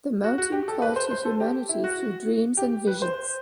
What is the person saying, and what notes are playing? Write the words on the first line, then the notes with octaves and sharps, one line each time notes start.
The mountain called to humanity through dreams and visions.
F#4
F#4
G4
A4
B4
C5
C5
A4
G4
E4
F#4
G4
B4
C5